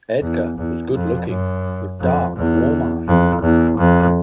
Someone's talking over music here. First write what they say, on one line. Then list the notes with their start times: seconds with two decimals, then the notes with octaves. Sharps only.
Edgar was good-looking, with dark, warm eyes.
0.22 E2
0.58 E2
0.93 F2
1.29 F#2
2.00 F2
2.36 E2
3.07 F2
3.42 E2
3.78 F2